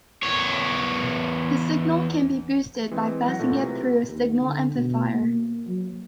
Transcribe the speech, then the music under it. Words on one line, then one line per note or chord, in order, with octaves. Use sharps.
The signal can be boosted by passing it through a signal amplifier.
E2 C#5
E3 G#3 C4
F#3 F#5 A#6
A#2 A3 E4 F4
C3 B4
D#2
D3
B2
A#3
F#3